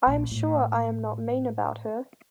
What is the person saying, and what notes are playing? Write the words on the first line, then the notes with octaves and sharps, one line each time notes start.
I am sure I am not mean about her.
A#1
A2